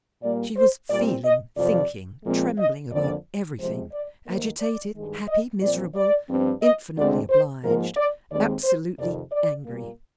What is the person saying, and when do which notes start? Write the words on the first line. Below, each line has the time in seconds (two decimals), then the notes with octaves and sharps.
She was feeling, thinking, trembling about everything; agitated, happy, miserable, infinitely obliged, absolutely angry.
0.22 A#2 G3 A#3 D5
0.56 C5
0.89 A#2 G3 C4 D5
1.23 D#5
1.57 F2 C3 F3 C4 D5
2.25 A#2 F3 G#3 C4
2.58 D#5
2.92 F2 D3 F3 A#3 D5
3.59 C3 F3 G#3 C4 C5
3.93 D5
4.27 D#2 D#3 A#3 C5
4.60 D5
4.94 G2 D#3 G#3
5.27 D#5
5.62 A#2 F3 C4 D5
5.95 D5
6.28 G2 F3 C4
6.62 D#5
6.96 D2 D3 G#3 C4 D5
7.30 C5
7.63 G#2 F3 A#3 A#4
7.97 D5
8.31 D#2 D#3 G#3 C4 D5
8.64 C5
8.98 F2 C3 D#3 D5
9.31 D5
9.65 A#2 G3 A#3